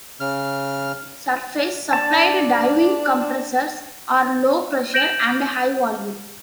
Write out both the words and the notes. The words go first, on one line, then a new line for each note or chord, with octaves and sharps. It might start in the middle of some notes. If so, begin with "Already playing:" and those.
Surface supplied diving compressors are low-pressure and high-volume.
C#3 F6
D4 A5
G6 A#6 D7 E7 F#7